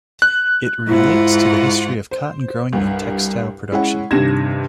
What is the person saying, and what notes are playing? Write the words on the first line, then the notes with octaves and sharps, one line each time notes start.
It relates the history of cotton growing and textile production.
F#6
G#2 E4 F4 F#5
C5
C2 G2
G#3 C#4 E4 F#5
G2 C3 D#3 G#6 A#6 E7